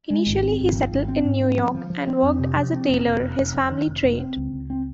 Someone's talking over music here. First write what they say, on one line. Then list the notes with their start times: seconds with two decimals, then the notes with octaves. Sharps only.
Initially he settled in New York and worked as a tailor, his family trade.
0.10 G#3
0.27 G#1
0.43 C4
0.60 G#1
0.76 F3
0.91 G#1
1.08 C4
1.25 G#2
1.41 C4
1.58 F3
1.75 F3
1.90 F3
2.07 C4
2.23 F2
2.39 C3
2.56 F3
2.72 C4
2.89 F1
3.06 F1
3.21 F1
3.39 F1
3.54 F2
3.70 D#3
3.87 F1
4.03 F1
4.20 C4
4.36 C#2
4.53 C#2
4.70 C4